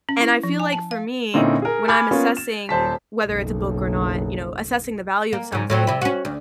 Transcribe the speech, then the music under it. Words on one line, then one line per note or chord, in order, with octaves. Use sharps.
and I feel like for me, when I'm assessing whether it's a book or not, you know, assessing the value of something
C#4
E4
F3
G#5
A5
F5
A#2 D3 C4 C#4 D#4 E4
G#4 A#4
G#5 B5 D6 F6 G#6 A6
A#3 B3 C#4 F4
E7
D#1 C5 A5 B6
F#1 B1
A#3
G#2 C#3
A2 F#3 C4
C3 E4
C#4 F#4
D2